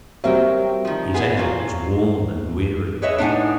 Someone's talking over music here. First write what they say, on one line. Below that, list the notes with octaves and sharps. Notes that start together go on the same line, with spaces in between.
His air was worn and weary.
F#3 G3 C4 A#4 E5 G5
D#3 F3
B3 G#4
F#3 F4
G#4 B4 C#5 D#5 E5
A2 D4 D#4 F#5 G#5